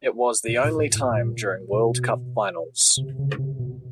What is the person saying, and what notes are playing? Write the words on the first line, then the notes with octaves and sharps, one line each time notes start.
It was the only time during World Cup Finals.
B2
A#2
A2
A2
A#2
B2
C3
C#3
C3
B2